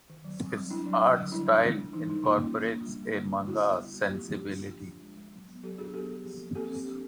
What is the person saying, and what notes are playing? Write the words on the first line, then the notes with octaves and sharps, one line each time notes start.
His art style incorporates a manga sensibility.
D#3
F#3
C4
G3
D4 E4
F#3
G3
D3
G3 D4 E4
D3
G#3
D4
E3 D#4
G3 D#4
A#3 D#4 F4
C#4
A#3
D4
G3
A#3
D3
D4
G3 E4 F#4
B3
G3
A#3
C4 F4 G4
F3
D4
D4
F3
D4
G#3
G#3
F#3
B3
F#3 G4 A4
D4 F#4 G#4
B3 G4 A4
B3
F3
A#3
C4 G4 A4
C4
D4